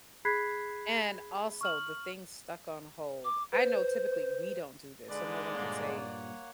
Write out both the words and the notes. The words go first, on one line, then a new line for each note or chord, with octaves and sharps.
And also the thing stuck on hold. I know typically we don't do this, so no one could say,
G#4 B5 F#6 G#6 B6 C7
C#6 F6 F#7
D6
B4 C5
G#2 D3 G#3 B4 D5
G2 A#2 A#3 C#5 F#5